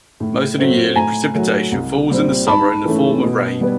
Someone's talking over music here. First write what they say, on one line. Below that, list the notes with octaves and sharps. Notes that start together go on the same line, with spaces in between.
Most of the yearly precipitation falls in the summer in the form of rain.
A2
F#3 A3 C4
A2 G#5 A#5
F#3 A3
C2
A#2 G3 C4
G#2 A5 B5
E3 A3 C#4
B2
G3 B3